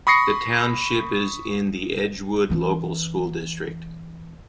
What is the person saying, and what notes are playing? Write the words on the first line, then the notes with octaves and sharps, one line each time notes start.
The township is in the Edgewood Local School District.
B5 C#6 D#6 A#6 C7 C#7
E3 C#4